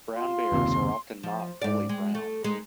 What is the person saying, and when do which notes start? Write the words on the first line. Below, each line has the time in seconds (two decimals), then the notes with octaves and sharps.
Brown bears are often not fully brown.
0.16 F4 C6
0.52 F#1 D#2 C3
1.23 F3
1.62 G#2 D5
1.89 G#3
2.15 A3
2.44 G#3 D#4